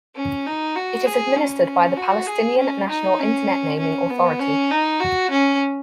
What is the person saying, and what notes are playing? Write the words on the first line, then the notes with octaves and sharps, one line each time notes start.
It is administered by the Palestinian National Internet Naming Authority.
C#4
D#4
F#4
G#4
C#4
F#4
G#4
C#4
D#4
C#4
C#4
B3
C#4
D#4
F#4
C#4